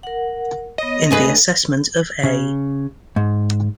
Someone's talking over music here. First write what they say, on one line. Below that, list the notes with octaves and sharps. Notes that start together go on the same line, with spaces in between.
In the assessment of A.
A#4 F#5
B3 C#5 D#5
D2 G#4 A4 B4 D#5
C#3
G#2